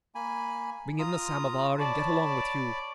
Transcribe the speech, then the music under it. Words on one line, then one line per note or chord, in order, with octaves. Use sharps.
Bring in the samovar, and get along with you.
A#3 G#5 B5
F4 A#5 D#6
C#5 D5 A5 B5